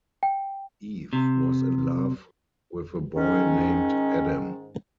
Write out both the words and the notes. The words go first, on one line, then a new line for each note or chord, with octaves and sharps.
Eve was in love with a boy named Adam.
G5
C3
G#2 D#3 C#4